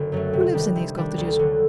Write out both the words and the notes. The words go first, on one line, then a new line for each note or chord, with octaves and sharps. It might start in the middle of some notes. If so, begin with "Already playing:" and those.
Who lives in these cottages?'
Already playing: F#1 D3
F#2 F#3 A3
C3
D#3 G3 D4
C3
D#3 G3 D4
D2
D3 F#3